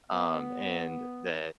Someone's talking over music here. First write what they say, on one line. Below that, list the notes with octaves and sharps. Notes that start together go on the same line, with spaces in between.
um, and the
B3